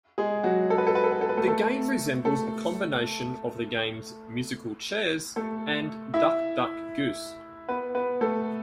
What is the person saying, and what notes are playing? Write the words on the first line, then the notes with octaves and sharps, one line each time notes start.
The game resembles a combination of the games Musical Chairs and Duck Duck Goose.
G#3 G#4
F#3 F#4
A4
B4
A4
B4
A4
B4
A4
B4
A3 A4
A3 A4
A3 A4
A3 A4
E4 E5
B3 B4
B3 B4
A3 A4